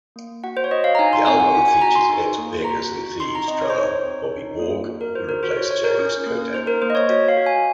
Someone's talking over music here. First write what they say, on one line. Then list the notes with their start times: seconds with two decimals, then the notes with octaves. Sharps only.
The album features Ex Beggars and Thieves drummer Bobby Borg who replaced James Kottak.
0.16 A#3
0.44 F#4 F#5
0.57 C5
0.64 C#5
0.71 F#4 D#5
0.84 F5
0.95 A#5
0.99 D#4 G#5
1.13 C6
1.26 C4 G#5
1.40 F#5
1.54 F#4 G#5
1.68 G#5
1.81 F#4 A#5
1.96 C6
2.09 D#4
2.38 A#3
2.65 F#4 A#5
2.92 F#4
3.20 D#4 C6
3.35 A#5
3.48 C4 D#5
3.62 C#5
3.70 C5
3.76 D#4 C#5
4.03 C4
4.32 D#4
4.59 A#3
4.87 F#4
5.01 A#4
5.14 F#4 C5
5.29 A#4
5.43 F#4 C5
5.57 C#5
5.70 F#4 C#5
5.84 A#4
5.99 C#4
6.26 A#3
6.54 D#4 C5
6.67 A#4
6.82 A#3 C5
6.90 D#5
6.95 C#5
7.09 F#4 C#5
7.28 F5
7.37 F#4
7.46 G#5